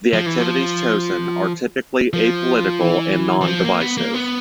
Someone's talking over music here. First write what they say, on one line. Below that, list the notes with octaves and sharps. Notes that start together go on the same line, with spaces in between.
The activities chosen are typically apolitical and non-divisive.
F3
E3
F3
F3
E3
E3
F3
A#3
B3
A#3
B3